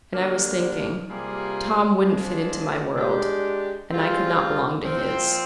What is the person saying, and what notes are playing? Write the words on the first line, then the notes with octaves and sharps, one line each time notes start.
And I was thinking--Tom would n't fit into my world, and I could not belong to his.
D3 G3 A#3 D4
C3 G3 A#3 F4 G#4
F3 G#3 D4
G#3 D4 G4
G3 C4 F4 G#4
A#2 F3 C4